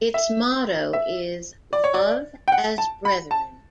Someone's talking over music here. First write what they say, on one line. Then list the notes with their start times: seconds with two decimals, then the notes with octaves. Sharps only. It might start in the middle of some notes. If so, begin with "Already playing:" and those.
Its motto is "Love as Brethren".
0.14 E5
0.93 E5
1.73 D5
1.84 C#5
1.94 D5
2.48 G5
2.52 F#5
2.78 A5
3.05 B5
3.31 A5